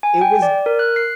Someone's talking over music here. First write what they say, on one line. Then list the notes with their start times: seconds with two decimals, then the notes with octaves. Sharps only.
It was
0.03 G#5
0.21 G5
0.42 D5
0.66 A#4
0.79 F#6
0.96 C7